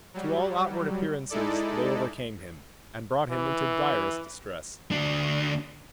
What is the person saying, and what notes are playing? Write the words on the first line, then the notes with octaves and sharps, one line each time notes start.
To all outward appearances they overcame Him and brought Him into direst distress.
F#3 G3
G#3 D#4 E4 A4 D5
E3
D2 D4